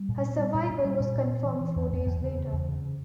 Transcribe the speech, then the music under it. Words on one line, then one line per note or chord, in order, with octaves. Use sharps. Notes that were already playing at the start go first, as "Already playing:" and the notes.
Her survival was confirmed four days later.
Already playing: G3
A#2
C4
G3
A#2
A#2
G3
A#2
A#2
C4
E3
E3
E2
E2
E2
C#3
C#3
E2
C#3